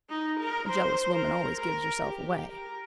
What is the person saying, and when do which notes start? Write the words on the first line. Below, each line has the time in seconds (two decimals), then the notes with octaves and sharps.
A jealous woman always gives herself away.
0.09 D#4
0.40 A#4
0.69 C5
1.14 A#4
1.59 A#4
2.03 G4
2.48 A#4